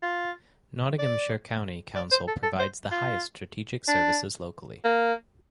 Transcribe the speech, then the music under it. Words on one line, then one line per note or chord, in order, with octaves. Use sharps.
Nottinghamshire County Council provides the highest strategic services locally.
F4
D5
D5
C5
A4
A4
C5
F4
D4
A#3